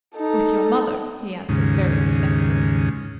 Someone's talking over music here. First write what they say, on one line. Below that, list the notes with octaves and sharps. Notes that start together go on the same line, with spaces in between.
"With your mother," he answered very respectfully.
D#4 A4
D#2 G#2 C#3